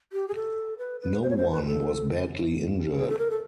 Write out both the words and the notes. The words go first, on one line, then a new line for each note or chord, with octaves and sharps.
No one was badly injured.
G4
G#4
A4
B4
B4
C5
C#5
C5
B4
A4
G#4
A4
A#4
A4